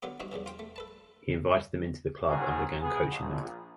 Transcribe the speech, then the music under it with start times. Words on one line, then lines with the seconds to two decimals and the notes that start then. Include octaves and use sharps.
He invited them into the club and began coaching them.
0.02 D3 F#3 B3 F4 G4
0.20 G2 E3 C4 D#4 F#4
0.32 E2 G2 C#3 E3
0.46 F4 C5 G5
0.59 A3
0.76 A4 B4 A5
2.28 D#2 G#2 D#3 F#4 G#4
2.81 B3 G#4
3.10 A#1